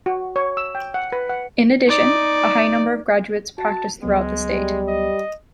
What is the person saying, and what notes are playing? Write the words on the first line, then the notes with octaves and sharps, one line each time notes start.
In addition, a high number of graduates practice throughout the state.
F#4
C#5
E6
G5
F#5
B4
F#5
D#4 D5
F#4 A5
C#2 F#3 G#3 B3
G3
D#5